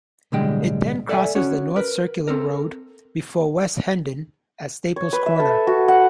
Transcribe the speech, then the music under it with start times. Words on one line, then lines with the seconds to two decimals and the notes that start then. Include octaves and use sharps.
It then crosses the North Circular Road before West Hendon at Staples Corner.
0.32 B1 A2 D3 G3 G#3 G5
1.09 A4 D5 E5 F5 G#5
1.35 C#4 F#4 C#5
1.76 A#4 B4
2.28 C4 A4 A#4
4.96 C#5
5.13 B4
5.26 E5
5.40 A4
5.67 F#4
5.88 F#5